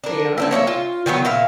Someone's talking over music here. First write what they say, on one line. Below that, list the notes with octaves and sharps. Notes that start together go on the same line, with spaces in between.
They are.
D4 A#4
C4 D4 E4
A#3 C#5 D#5 E5
F4
D#3 E3 F#3 B3
A#2 E5 F5